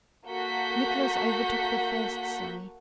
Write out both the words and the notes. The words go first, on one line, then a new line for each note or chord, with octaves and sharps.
Nicholas overtook the first sleigh.
A#3 F#4 A4 F#5 G6 B6